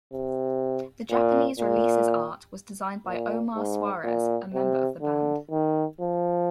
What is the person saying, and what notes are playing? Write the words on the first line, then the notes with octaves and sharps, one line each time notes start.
The Japanese release's art was designed by Omar Swarez, a member of the band.
C3
A#2
A#2
A#2
G#2
A#2
C3
D3
D#3
F3